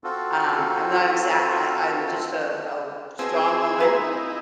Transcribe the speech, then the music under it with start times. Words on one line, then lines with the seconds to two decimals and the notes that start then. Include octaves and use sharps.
um, I'm not exact I I'm just a oh, strong woman,
0.04 C4 F4 F#4 A4
3.19 B2 F3 C4 G#4 E6
3.80 B4 F5 A#5
4.01 D#4 E4